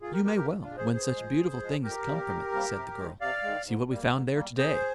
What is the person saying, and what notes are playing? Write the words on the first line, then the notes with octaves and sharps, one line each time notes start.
"You may well, when such beautiful things come from it," said the girl. "See what we found there to-day."
A#2 F4 G#4
G4 A#4
G#3 G4 A#4
G4 A#4
A#2
D4 F4
G#3
G#4 C5
G2 G#4 C5
F3 G#3
G2
F3 G#3
F2 G4 A#4
C3 G3 A#3
F2
C3 G3 A#3
C3
D#3 G#3
C3 D5 F5
D#3 G#3
G#2
G3 A#3
G#2
G3 A#3
C3 G#4 C5